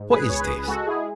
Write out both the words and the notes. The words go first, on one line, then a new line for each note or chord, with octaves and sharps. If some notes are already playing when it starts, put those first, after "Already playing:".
What is this?
Already playing: G#2
B2 G#4 B4
C#2 C#5
G#4 B4
C#2
B4
G#3 F#4 A4
G#3 E4 G#4